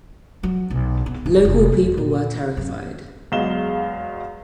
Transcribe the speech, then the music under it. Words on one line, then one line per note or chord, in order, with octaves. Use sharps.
Local people were terrified.
F#3
B1
B3
D1
F1
E2
A#2
F#2
E2 F#3 G#3 F5 E7 G7